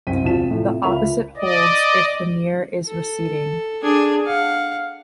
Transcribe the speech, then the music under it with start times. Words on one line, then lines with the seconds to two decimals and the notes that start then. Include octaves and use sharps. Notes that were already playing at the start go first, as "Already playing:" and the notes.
The opposite holds if the mirror is receding.
0.07 C2 F#2 C5 G5 B6 D#7
0.24 E1 C4 F4 A5 B6 E7
0.51 A2 C3 F3 A3
0.83 C#2 F4 A#4 E5 B5 F7
1.37 D5 D#5
2.86 A4
3.82 D4 G#4
4.26 F5 F#5